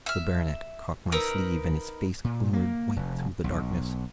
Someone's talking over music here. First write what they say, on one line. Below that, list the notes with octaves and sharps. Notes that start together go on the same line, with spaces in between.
The baronet caught my sleeve and his face glimmered white through the darkness.
E5 F6
D#4 A#4 B4 E6
A#2
A#3
F1
B1